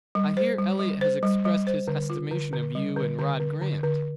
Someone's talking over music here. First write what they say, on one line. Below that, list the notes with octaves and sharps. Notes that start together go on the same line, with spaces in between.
"I hear Eliot has expressed his estimation of you and Rod Grant."
G3
C5
G3
G3
C5
G3
G3
C5
D3
F4
D3
D3
G3
D3
D3
D3
D3
D3